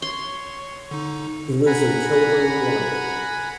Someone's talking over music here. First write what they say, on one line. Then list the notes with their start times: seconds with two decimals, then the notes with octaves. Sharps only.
He lives in Kilburn, London.
0.02 C#5 C6
0.91 D3 D#4
1.66 F#5 G#5 A#5 B5